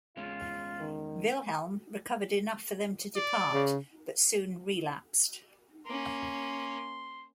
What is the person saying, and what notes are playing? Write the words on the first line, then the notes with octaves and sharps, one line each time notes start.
Wilhelm recovered enough for them to depart, but soon relapsed.
E2 G#3 C#4 F4
D#3
D5
C#3
A#3 C#4 C6